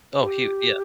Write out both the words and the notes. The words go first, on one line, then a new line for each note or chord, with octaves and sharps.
Oh, he w yeah.
G4